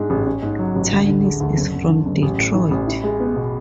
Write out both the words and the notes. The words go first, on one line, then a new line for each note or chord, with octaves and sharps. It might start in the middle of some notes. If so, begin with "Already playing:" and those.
Tynes is from Detroit.
Already playing: G#2 G#3 D4
A1
C#4
G#2
F#3
A1
D2
D3
G#3
D2
F#1
F#2
D3
F#1
A1
A2
E3
A1
E4
G#3
B3
B2